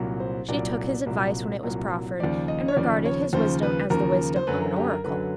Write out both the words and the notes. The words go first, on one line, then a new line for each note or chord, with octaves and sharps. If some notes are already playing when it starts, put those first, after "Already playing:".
She took his advice when it was proffered, and regarded his wisdom as the wisdom of an oracle.
Already playing: C2 A#2 F#3
C5
C2 A#2 F#3 D5
C2 A#2 F#3
C2 A#2 F#3
D#2 C#3 F3 D5
D#5
C#5
D#2 C#3 F3 D5
C#5
D#2 C#3 F3 C5
B4
D#2 C#3 F3 A#4
C5
F#2 D3 F#3 B4
A#4
G4
A#4
F#2 D3 F#3 B4